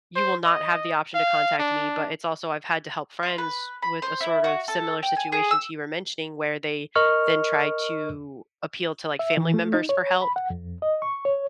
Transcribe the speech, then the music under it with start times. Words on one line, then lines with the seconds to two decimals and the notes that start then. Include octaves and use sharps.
you will not have the option to contact me." But it's also I've had to help friends with a sort of similar situation to you were mentioning where they then try to appeal to, like, family members for help,
0.16 C5
0.45 D#5
1.14 F5
1.59 D4
3.23 F4
3.38 B4
3.82 B5
4.02 C5
4.21 E4
4.44 F#4
4.68 A4
5.03 G5
5.17 G#5
5.32 G#4
5.51 E6
6.96 A#4 D#5 C#6 F6
9.19 E5
9.37 E3
9.54 A3
9.74 D#4
9.89 C#5
10.22 B5
10.36 F#5
10.50 F2
10.82 D#5
11.02 C#6
11.25 C#5